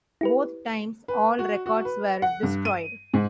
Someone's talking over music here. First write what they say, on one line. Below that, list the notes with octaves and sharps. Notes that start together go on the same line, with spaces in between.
Both times all records were destroyed.
E4 G4 B4
B4
F#4
F#4
B4
F#5
G2
D#7
G#2